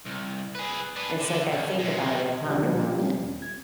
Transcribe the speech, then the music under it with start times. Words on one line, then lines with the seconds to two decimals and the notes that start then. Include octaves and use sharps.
It's like I think about it. I ponder on it.
0.05 C2
0.55 G#4 B4
0.96 D4 B4
1.20 D3
1.51 C2
1.79 B2 G#3
2.49 C2 F3 D#4 G4
2.62 F3 G3 A#3 C#4 D4 F4
2.84 F4 G4
2.99 G3 A3 C4 C#4
3.18 D#2
3.42 G#6